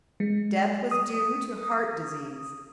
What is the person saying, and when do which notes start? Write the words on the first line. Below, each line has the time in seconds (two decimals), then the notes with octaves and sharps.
Death was due to heart disease.
0.20 G#3
0.91 D#6